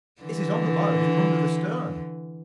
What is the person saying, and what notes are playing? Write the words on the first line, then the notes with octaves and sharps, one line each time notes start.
"It is on the bows and under the stern."
D3 E3